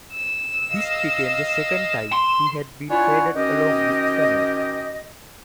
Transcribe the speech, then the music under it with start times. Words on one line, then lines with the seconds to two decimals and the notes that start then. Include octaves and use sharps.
This became the second time he had been traded along with Kunnert.
0.12 E6
0.70 D#5 F5
2.12 C6
2.90 D4 E4 F4 C#5 F#5 G#5
3.35 D#3 C#4 F#4 G4 D#5